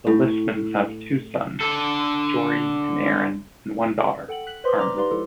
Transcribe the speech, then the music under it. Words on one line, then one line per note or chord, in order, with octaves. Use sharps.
The Lishmans have two sons, Geordie and Aaron, and one daughter, Carmen.
A2
D3 A4
A4 F#5 G5 F#7
F#6 B6 F#7
B4 C5 D#5 C6 B6
D5 A#5 C6 D6 F6 A#6
D#4 G4 B4 D5 F5 C6
F3 G#3 E4 F4 A4